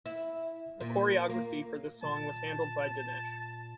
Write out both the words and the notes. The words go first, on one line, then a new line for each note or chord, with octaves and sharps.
The choreography for this song was handled by Dinesh.
E4
A#2
A#3
A#2 A5